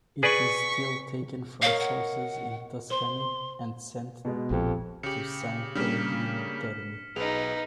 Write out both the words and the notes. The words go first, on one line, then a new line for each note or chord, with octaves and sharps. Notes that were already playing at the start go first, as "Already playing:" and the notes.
It is still taken from sources in Tuscany and sent to San Pellegrino Terme.
G#4 B4 D5 C#6 B6
A#4 C#5 D#5 F5
F#5
C5 C6
B2 G#3
A#1 F2 G4
C#3 G4 C#7 F#7
C#3 G3 A#3 D4 F6 B6 E7
B1 D#4 G#4 B4 F7